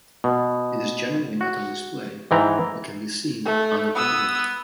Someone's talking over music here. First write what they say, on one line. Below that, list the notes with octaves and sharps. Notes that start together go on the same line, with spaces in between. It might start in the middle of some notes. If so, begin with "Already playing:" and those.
It is generally not on display, but can be seen on appointment.
B2
F#4
G#2 E3 G5 A#5
A3
B3 D#6 E6